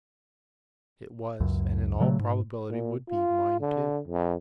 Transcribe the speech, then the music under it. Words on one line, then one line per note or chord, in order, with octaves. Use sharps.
It was, and in all probability would be, mine too.
C#2 F#2
A#2 C#3 F#3 A3
G#2
A#2
F4
D3
F2